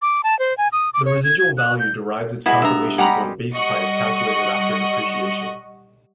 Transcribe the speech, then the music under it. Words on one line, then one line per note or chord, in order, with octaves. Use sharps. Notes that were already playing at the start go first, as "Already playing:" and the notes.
The residual value derives its calculation from a base price, calculated after depreciation.
D6
A5
C5
G#5
D#6
D6
C#5
G#6
G#6
F#6
G6
G#3 B3 E4 F#4 B5
G2 B3 E5 A#5
G3 G#3 G4 F#5 A#5 B5
G3 D#5 F#5 C#6 C#7